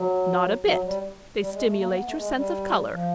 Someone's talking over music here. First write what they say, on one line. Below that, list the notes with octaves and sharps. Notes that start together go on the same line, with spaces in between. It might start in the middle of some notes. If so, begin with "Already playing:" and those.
"Not a bit: they stimulate your sense of colour."
Already playing: F#3
F#3
G3
G3
G#3
A3
A#3
B3
B3
A3
G#3
G3
F3